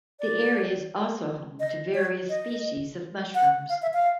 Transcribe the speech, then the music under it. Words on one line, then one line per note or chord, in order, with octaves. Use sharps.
The area is also home to various species of mushrooms.
D5
D#5
C#5
D#5
F#5
F5
E5
F5